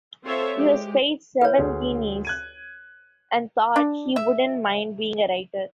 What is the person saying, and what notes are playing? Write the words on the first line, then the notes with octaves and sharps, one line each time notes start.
He was paid seven guineas, and thought he "wouldn't mind being a writer".
C4 F4 A4 C5 C#5 E5
G#3 G4
E4 B4 C#5
D2 G#4
F#6 G#6 D#7
D4
E5